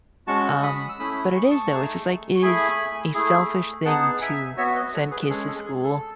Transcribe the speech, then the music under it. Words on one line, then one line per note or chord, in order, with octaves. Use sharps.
um but it is, though, it's just, like, it is a selfish thing to send kids to school,
G#3 C#4 F#4 A5 C#6
B5 D#6
E6
A3 C#4 E4 B5 D#6
C#6
D#6
A5 C#6
A3 D#4 G#4
C#6
A3 E4 G#4 G#5 B5
A3 E4 G#4
B3 D#4 G#4 F#5 A5
E5 G#5
B3 F#4 C#5 E5
B4 D#5
A4 C#5
G#4 B4
G#3 C#4 G#4 A4
A4
G#4
A4